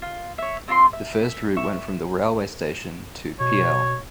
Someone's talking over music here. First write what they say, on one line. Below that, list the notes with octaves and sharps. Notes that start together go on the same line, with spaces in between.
The first route went from the railway station to pl.
F4
C#5 E5
C4 F4 B5 C6
E5
E5 C#6
B2 C#5